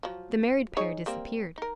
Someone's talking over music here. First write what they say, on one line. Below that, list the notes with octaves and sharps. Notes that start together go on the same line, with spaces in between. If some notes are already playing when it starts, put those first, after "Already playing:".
The married pair disappeared.
F3 F#3
D#4 G#4 C#5
G3 A#3 C4
D#4 A#4